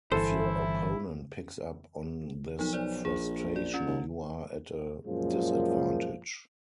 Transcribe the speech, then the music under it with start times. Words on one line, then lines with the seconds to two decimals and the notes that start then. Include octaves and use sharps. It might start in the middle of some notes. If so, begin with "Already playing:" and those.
If your opponent picks up on this frustration, you are at a disadvantage.
0.12 G1 E3 E4 A4 C5
2.59 B1 F3 D#4
2.73 B1 C5 D5
3.05 A#1 G#4
3.56 D5
3.74 C#4 F4
3.87 D#2
5.06 F#2 A#2 F3 G#3